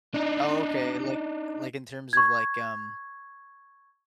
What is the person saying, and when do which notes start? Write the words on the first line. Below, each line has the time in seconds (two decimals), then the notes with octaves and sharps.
Oh, okay, like eh, like, in terms of, like, um
0.14 D4 D#4
2.13 C#6 G#6